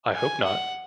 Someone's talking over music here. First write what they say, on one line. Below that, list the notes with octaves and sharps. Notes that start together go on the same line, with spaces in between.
I hope not.
G#5
F#5